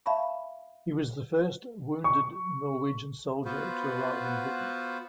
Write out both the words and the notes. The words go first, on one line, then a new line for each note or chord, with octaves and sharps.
He was the first wounded Norwegian soldier to arrive in Britain.
E5 F5 A5 B5 C#6
C#6
B3 F4 F#4 B4 C5